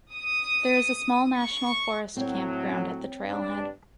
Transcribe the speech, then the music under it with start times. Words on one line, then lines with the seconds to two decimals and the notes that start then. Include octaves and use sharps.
There is a small National Forest campground at the trailhead.
0.12 D#6
1.37 C#6
2.17 A2 F#3 C4 C#5
3.28 G2 D4